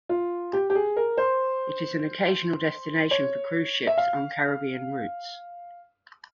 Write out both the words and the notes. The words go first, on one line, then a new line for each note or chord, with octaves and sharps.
It is an occasional destination for cruise ships on Caribbean routes.
F4
G4
G4
G#4
A#4
C5
C#5
E5
F5